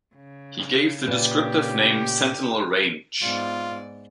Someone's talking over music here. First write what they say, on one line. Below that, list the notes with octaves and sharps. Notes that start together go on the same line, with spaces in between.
He gave the descriptive name Sentinel Range.
C#3
A#2 G4 B4 D5
G#2 B3 F4 D5